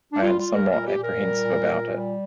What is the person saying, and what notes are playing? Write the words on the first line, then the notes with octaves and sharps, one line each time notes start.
I am somewhat apprehensive about it.
D4
G3 F4
F4
G3
A#4
A#2 A#4
G4
A#2
A#4
G3
A#2
A#2
G3